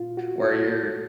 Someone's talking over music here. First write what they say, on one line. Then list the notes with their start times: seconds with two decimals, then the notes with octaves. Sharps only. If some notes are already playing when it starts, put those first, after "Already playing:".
where you're
Already playing: A#2 F4
0.17 F#4
0.44 A4